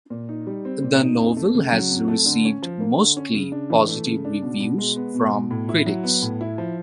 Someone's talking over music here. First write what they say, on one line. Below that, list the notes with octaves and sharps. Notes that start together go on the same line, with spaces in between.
The novel has received mostly positive reviews from critics.
A#2
D#4
G3
C4
A#2
D#4
F2
A3
C#3
F#3
F2
A3
D3
C#4
F3
A#3
D3
C#4
C#3
D4
E3
A3
C#3
D4
B2
B2
G#3
B3
B2
B2
A2
E4
F#3
B3
A2
E4
F3